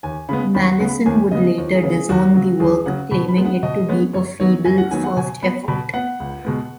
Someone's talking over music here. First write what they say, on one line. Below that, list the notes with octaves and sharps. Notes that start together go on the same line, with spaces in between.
Malleson would later disown the work claiming it to be a feeble first effort.
D#2 G#5
C#3 G#3 B3 B5
D#2 B5
F#5
C#3 G#3 B3
B5
D#2 G#5
C#3 B3 D#5
D#2
G#4
C#3 B3
G#4
D#2 F#4
C#3 F#3 F#4
D#2 G#4
C#3 F#3 F#5
B2 B5
B5
G#3 B3
F#5
B2 D#5
G#3 B3 C#5
F#2 C#5
D#3 F#3 B3 C#5
F#2 G#5
F#5
D#3 F#3 B3 G#5
F#5
B2 G#5
B3 B5
B2 B5
B3 F#5
C#2
B2 G#3 B3